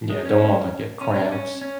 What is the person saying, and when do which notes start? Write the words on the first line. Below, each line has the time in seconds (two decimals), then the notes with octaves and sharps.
Yeah, don't wanna get cramps.
0.10 G#3
0.26 C#4
1.01 C#4
1.14 C#4
1.21 D4
1.32 C#4
1.61 C#4